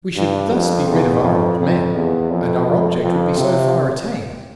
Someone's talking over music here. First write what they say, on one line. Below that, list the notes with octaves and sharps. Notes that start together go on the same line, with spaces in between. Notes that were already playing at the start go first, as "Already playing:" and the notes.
We should thus be rid of our old men, and our object would be so far attained.
G2
F2
E2
F2
F2
E2
F2
F2
F2
C3